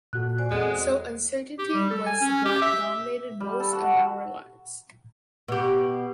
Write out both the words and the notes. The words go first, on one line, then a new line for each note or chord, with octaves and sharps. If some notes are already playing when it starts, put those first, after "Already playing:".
So uncertainty was what dominated most of our lives.
A#2 F#4 A4 F#6
C5 D5 G#5
E2 G#3 C4 F#4 A4 F#5
G4
G3
A4
G#5
C#4
G4
E5
G3
A4
F#4
B2 G4